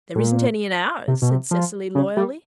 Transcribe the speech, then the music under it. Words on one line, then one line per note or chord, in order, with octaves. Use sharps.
"There isn't any in ours," said Cecily loyally.
A2
A#2
C3
B2
C3
F3
C#3
G3